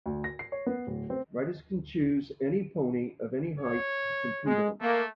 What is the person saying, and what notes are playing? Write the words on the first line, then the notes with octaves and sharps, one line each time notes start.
Riders can choose any pony of any height to compete on.
D2
A#6
C7
C#5
B3
D1
C4
C#5
G#3
A3 A#3